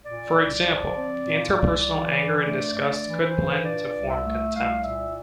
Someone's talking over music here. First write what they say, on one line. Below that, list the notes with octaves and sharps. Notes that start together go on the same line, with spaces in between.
For example, interpersonal anger and disgust could blend to form contempt.
A#2 D5
C2
F3
C4
A#2
C2
E3
G2
A3
G2 D5
E3
C5
G2
A#2 D5
C2
E5
A3
C2 F5
A#2 E5